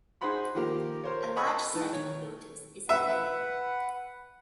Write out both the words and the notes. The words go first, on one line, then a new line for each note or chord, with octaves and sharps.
A large set of filters is available.
D#4 G#4 C5 F#5 B5 C6
D#3 F3 A#3 G4 A#4
A#4 C5 C#5
D#5 G#5 B5 C#6 D#6 E6
E3 D#4 B4 A5
D#3 C#5
B4 E5 F#5